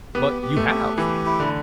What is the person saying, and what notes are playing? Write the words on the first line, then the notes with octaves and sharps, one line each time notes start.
"But you have."
B3 G4
G4
A3
G4
E3 G4
E4
D3